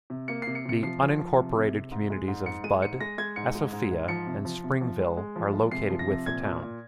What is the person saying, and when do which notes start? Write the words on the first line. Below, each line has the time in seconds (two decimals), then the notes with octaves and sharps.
The unincorporated communities of Bud, Esofea, and Springville are located with the town.
0.10 C3
0.28 A#3 C#7
0.42 C3 C7
0.55 C#7
0.65 C3 C#7
0.83 F3 C7
1.01 F3
1.19 F3
1.37 C3
1.55 C3
1.73 C3
1.91 G#2
2.10 G#3
2.28 G#2
2.46 G#2 C#7
2.64 G#3 D#7
2.82 G#2 C#7
3.01 G#3 A#6
3.18 G#3 G#6
3.36 G#2 C#7
3.55 G#3
3.73 G#2
3.91 G#2
4.08 F3 C#7
4.27 C3
4.45 F3
4.64 C3
4.81 F3
5.00 G#3
5.17 G#3
5.36 F3
5.54 G#3
5.72 C3 C7
5.90 F3
5.99 A#6
6.08 C3
6.26 A#2 G#6
6.45 A#2
6.63 A#2